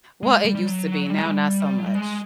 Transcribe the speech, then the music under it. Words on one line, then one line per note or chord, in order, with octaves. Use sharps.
Well, it used to be, now not so much.
G#3
G3
G3
F#3
G3
G#3
G3
F#3
G3
G#3